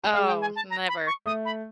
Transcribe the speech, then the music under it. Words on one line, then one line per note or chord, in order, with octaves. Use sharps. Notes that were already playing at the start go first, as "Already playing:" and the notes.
Oh, never.
G#3 F5
G5
G#5
A5
A#5
B5
C#6
A3 D#6
B5